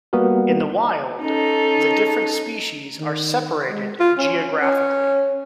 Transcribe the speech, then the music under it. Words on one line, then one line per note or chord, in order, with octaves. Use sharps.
In the wild, the different species are separated geographically.
G3 A#3 B3 F#4 A#4
C#4 D#4 A4
D#3
G#3
F4
C#4
C#4